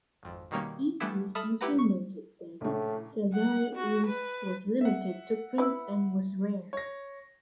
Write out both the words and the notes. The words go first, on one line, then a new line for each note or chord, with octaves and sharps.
It was also noted that shazai use was limited to print and was rare.
G#1 F2
B2 D#3 G3 A#3 C#4
E3 G3 A3 B3 D4 E4
A4 E5 B5 D#6 F6
E4 G4 B4 F#5 A#5
C#6
A#1 A2 C#3
F#5
F#4
B4
E5 F#5
E4 B4
C#5 A#6